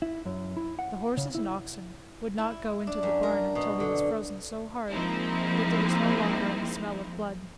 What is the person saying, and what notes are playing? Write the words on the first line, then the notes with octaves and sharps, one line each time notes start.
The horses and oxen would not go into the barn until he was frozen so hard that there was no longer any smell of blood.
E4
F#2
E4
F#5
C#3
E4
E4
D4
F#2
A#4
B2
D3
F3 G#3 A#3 C4 D#4 E4